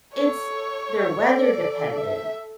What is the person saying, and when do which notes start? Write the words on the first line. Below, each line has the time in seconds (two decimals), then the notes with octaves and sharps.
It's they're weather-dependent.
0.13 A4 C#5
0.50 A4
0.87 A4
1.24 A4 D5
1.97 E5